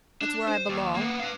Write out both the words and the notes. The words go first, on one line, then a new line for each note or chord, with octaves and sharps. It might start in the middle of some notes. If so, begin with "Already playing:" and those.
That's where I belong!
D4
C5
D#2
A#3 B3
B4 F5